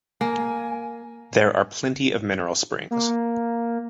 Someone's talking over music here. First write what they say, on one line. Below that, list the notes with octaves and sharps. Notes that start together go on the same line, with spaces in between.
There are plenty of mineral springs.
A#3 G#5
A#3